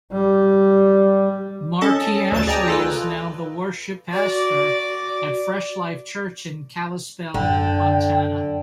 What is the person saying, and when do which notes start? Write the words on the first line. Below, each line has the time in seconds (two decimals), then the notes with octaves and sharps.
Marquis Ashley is now the worship pastor at Fresh Life Church in Kalispell, Montana.
0.12 G3
1.81 C#4 A4 D#5 A5
2.32 D2 F#3 A5 A6
2.47 G#4 D5 D#5 G5 G#5 A#5
2.68 F4 A4 B4
4.14 F#4 D5
7.34 F#2 D3 G5